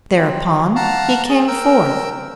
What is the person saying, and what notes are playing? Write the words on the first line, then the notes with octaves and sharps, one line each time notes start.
Thereupon he came forth.
C4
F5 F#5 A5 A#5
G#4
A#4 G5 E6